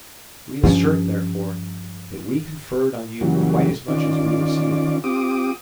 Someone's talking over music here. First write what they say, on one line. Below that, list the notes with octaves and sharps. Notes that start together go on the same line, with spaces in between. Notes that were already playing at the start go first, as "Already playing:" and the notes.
We assert, therefore, that we conferred on you quite as much as we received.
G2 F3 C#4
F#2 A#2 C#3 E3 F#3 G3
D#3 C#4 F4 D5
C4 F4 G4 D6 D#6